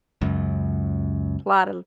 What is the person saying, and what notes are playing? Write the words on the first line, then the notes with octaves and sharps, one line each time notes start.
plot of,
C#2 F#2